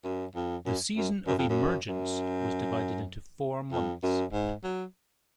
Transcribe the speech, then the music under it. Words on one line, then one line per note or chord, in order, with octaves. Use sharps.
The Season of the Emergence was divided into four months.
F#2
F2
F#2
F#2
F#2
F2
F#2
F#2
F2
F#2
G#2
F#3